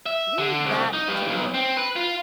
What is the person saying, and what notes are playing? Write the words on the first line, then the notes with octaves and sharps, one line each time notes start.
"Leave that to me."
E5
D3
C2
D#4
G2
B1
C4
B4
F4